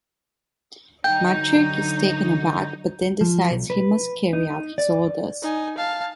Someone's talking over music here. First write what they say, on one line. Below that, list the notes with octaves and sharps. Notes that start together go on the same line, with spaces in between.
Maciek is taken aback, but then decides he must carry out his orders.
D3 F#3 D#4 G5 G6
F3
B1
B4
D#4
D5
D#4 G#5
F5 A5